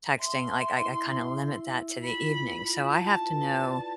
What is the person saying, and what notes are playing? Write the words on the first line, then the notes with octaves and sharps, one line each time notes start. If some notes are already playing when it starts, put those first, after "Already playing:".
texting, like, I I kinda limit that to the evening. So I have to know
E5 C6
E5
E4
E4
E4
E4
F4 B5
F4
F4
F4 A5
B4
D5